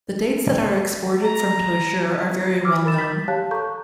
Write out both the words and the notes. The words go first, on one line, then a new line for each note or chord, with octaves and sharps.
The dates that are exported from Tozeur are very well known.
A#5
D6 E6 F6
A#4 B5 A6 E7
G6 A6 B6
G4 C#5 F5 A5 F#6
A4 A#5 C#6 G6